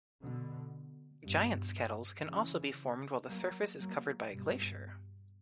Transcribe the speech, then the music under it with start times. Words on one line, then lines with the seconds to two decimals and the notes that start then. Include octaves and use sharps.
Giant's kettles can also be formed while the surface is covered by a glacier.
0.21 B2 D3
1.23 G2 B2
2.26 C#3 E3
3.29 F#3 A#3
3.79 F#3 A#3
4.30 G2 B2